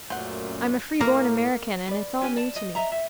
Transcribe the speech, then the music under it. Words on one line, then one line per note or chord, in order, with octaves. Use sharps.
I'm a free-born American, and it's all new to me.
F#2 A#2 A3 C5 F#5
A2 A#3 A#5
B4 D5
C#4 G4 B4 G#5
D5 A5
D#5
D#5 E5 A#5
E5